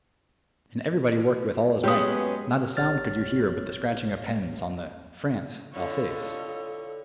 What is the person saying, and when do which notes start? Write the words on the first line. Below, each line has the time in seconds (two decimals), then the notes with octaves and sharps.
And everybody worked with all his might,--not a sound could you hear but the scratching of pens on the "France: Alsace."
1.84 F#2 G#3 B3 C#4 G4 B4 C#5 D#6
2.77 A1 C#5 F6 A6
5.74 A2 D3 F4 A4 C#5 D#5